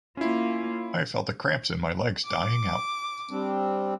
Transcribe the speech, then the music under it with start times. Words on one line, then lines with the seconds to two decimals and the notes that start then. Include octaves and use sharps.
I felt the cramps in my legs dying out.
0.17 A#3 C#4 E4 F4
2.25 D6
3.31 G3 C4 D4